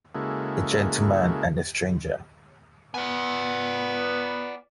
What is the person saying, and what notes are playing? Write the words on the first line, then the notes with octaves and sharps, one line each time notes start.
A gentleman and a stranger!
C#3 G#3 A#3 E4 F#4 A4
B3 D5 G#5